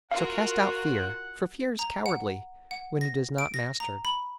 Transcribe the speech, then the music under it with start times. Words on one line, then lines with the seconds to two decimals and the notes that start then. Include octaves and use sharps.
So cast out fear, for fear is cowardly--when it is not mastered.
0.11 F4 F#4 A#4 F5 F#5
1.79 A#5
2.06 F#5
2.71 F#5
3.01 A#6
3.38 D7
3.54 A#6
3.80 A#5
4.05 B5